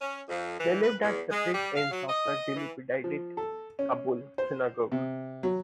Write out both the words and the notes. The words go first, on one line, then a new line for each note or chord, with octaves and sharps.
They lived at separate ends of the dilapidated Kabul synagogue.
C#4
F2
E3
B4
E2
G#3
G3
F5
F#3
D#5
E3
F3
A4
C#4
C5
C3
F#3